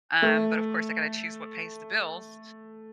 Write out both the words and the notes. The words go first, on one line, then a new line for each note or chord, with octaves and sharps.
Um, but of course, I've gotta choose what pays the bills.
A3